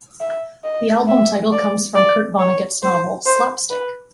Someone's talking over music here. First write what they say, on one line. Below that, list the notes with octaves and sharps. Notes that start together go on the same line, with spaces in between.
The album title comes from Kurt Vonnegut's novel "Slapstick".
E5
D#5
E5
D5
D5
C#5
C5
C5
B4